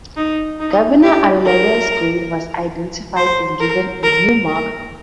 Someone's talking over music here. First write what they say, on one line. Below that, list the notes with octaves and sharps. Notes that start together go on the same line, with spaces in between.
Governor Arrillaga's grave was identified and given a new marker.
D#4
D#4
G4
A#4
C5
A#4
A#4
A#4